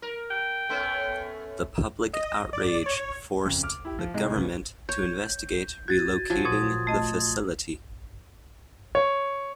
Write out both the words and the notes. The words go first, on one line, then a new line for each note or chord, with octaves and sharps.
The public outrage forced the government to investigate relocating the facility.
A#4
G5
A3 B3 C#4
D#5
D5
C#5
F2 C#3
D6 F6
E4 G4
F3
C3 G#3 D#4
C#2 B3 C#4
C#5 G6
F#4 G#6 A6 D#7
F3 F#3 G#5
A#2 C6 D#6 G#6
A3 D#5 A5
C#5